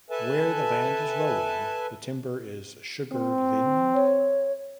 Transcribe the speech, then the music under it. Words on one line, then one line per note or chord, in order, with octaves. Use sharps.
Where the land is rolling, the timber is Sugar Lind?
A4 B4 E5 G#5 A5
C4
C#5